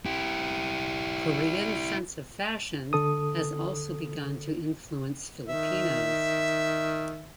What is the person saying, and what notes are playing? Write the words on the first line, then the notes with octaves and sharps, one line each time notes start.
Koreans' sense of fashion has also begun to influence Filipinos.
E4 G4
D3 A4 D#6
D#3 E5